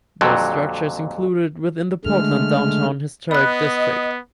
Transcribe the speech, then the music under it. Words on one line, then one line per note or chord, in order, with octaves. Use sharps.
The structure is included within the Portland Downtown Historic District.
F2 A#2 D3 F#3 G3
D3 G#3 A3 F6
B3 D#5 B5 F#6